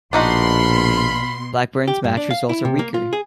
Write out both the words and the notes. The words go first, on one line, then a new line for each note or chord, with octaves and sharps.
Blackburne's match results are weaker.
A#1 B2 D4 D#4 F4 F#4 B5 C6
G4
G2
D4
F5
E4
C3
A#3
F4
G#4